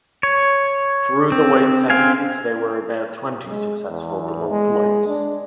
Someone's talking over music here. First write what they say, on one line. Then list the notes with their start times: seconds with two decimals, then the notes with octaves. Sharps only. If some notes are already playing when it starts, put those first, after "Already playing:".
Through the late seventies, there were about twenty successful balloon flights.
0.23 C#5
1.32 C4
1.90 C4 F5 G#5
3.49 G#3
3.89 E2
4.49 G#3
5.08 D4